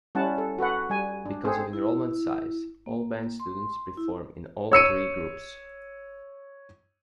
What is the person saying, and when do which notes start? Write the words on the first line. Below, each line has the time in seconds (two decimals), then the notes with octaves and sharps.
Because of enrollment size, all band students perform in all three groups.
0.15 G3 C#4 E4 F#5 A5
0.38 A4
0.58 F#4 A4 B4 F#5
0.90 G3 G#5
1.25 D4
1.45 C4 G#4 A4 C5
1.73 E4
2.86 A#3
3.40 C6
3.97 E4
4.72 C#5 E6 C#7 D#7